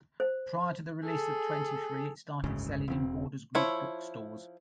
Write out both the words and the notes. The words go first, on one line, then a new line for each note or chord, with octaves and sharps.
Prior to the release of twenty-three it started selling in Borders Group book stores.
C5
G#4 A4
F#1 D2 G#2 C#3
E1 E2 C4
F3 E4 C#5